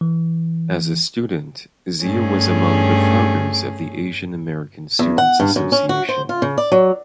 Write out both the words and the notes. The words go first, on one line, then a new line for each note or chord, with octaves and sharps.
As a student, Zia was among the founders of the Asian American Students Association.
E3
G2 A3 C#4 G#4
E2
F#5
G2
F#2
C#4
F#4
C5
F4
C#3
D5
F#3